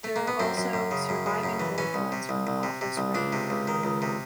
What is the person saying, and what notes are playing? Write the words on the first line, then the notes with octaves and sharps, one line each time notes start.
There are also surviving gold coins from Offa's reign.
A3
A#3
B3
F#2 C4
F#2
F#2
C#3
F#2
C#3
F#2
E3
E3 C#4
C2
C3
C2
C2
C3
C3
C2
C#2 D4
C3
C#2
D#3
C#2
C3